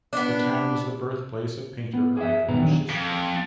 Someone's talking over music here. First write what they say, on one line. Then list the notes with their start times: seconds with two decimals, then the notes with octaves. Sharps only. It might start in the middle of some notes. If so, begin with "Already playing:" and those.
The town is the birthplace of painter Ivan Shishkin.
0.13 B3 D4
1.93 B3
2.17 G#4 E5
2.48 G#2 B2 D#3 G3 B3 A#5
2.62 D3 D#3 F#3
2.89 F2